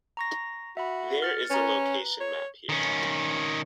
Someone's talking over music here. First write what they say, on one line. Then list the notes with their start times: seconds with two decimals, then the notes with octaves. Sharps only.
There is a location map here.
0.17 A#5 C#6 A#6
0.77 F#4 E5 B5
1.22 F6 A6 C#7
1.50 C#4 B4 A#5
2.20 C#5
2.69 D#3 C#4